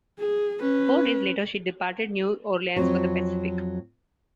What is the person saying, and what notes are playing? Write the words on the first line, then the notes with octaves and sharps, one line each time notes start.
Four days later she departed New Orleans for the Pacific.
G#4
C#4 B4
F2 F#3